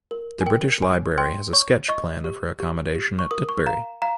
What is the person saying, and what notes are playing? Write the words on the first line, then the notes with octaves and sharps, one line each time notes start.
The British Library has a sketch plan of her accommodation at Tutbury.
A#4
G#5
A#4 G5
C#5 G#5
G5 C6
C#5 C#6
D#5 C#6
G4
G4
G4
C#6
A#4 D#6
C#6
F5 A#5
F5 A#5